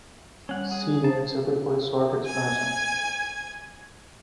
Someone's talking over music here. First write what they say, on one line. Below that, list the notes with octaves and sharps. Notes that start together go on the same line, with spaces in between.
See unit circle for a short explanation.
G3 C#4 F#5
G#4
C5 A5
G#5 G#6